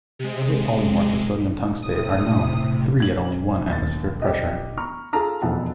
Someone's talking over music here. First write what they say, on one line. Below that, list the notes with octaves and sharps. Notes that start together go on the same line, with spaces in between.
Several polymorphs of sodium tungstate are known, three at only one atmosphere pressure.
C3 G#3
A2 C3 D#6
G#6 F#7
D#2 A6
G4 D5 D#5
A#5 B5 C#6 F6
F4 G#4 A4 A5 A#5 F6
E1 F2 D#4 F#5 G#5 A5